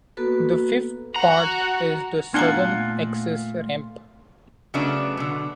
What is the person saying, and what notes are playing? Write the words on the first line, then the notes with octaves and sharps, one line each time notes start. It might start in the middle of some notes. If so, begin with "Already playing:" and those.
The fifth part is the southern access ramp.
A#3 B3 F#4 A4 B4
F#4 F#5 A#5
A#2 A3 B3 D4 F4 F#5 A5 A#5
C#3 F#3 A3 B3 D4
B2 D3